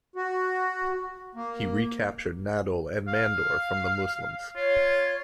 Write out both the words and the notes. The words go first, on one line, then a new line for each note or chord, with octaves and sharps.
He recaptured Nadol and Mandor from the Muslims.
F#4
A#3
F5
F4 C#5